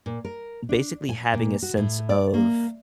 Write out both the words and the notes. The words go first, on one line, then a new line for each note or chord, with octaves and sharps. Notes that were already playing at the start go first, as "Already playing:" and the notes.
basically, having a sense of
A#2
A#4
D4
G#5
A#2
F#4
A2
D5
A#3